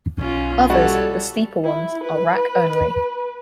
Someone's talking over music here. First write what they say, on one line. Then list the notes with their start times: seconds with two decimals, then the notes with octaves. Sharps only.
Others, the steeper ones, are rack-only.
0.19 B1 C#4 F4
0.70 G3 F#4 A4 C#5
1.64 E4
2.04 B4